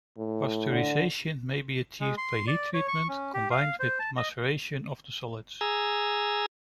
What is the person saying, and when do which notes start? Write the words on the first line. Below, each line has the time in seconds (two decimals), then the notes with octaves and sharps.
Pasteurisation may be achieved by heat treatment combined with maceration of the solids.
0.18 A2
0.67 D3
2.00 G#3
2.18 C6
2.47 D5
2.74 C#5
2.88 C#6
3.09 C#4
3.34 G4
3.51 F5
3.79 C5
3.99 A5
4.17 D#5
5.61 G#4 G#5 A#5 E6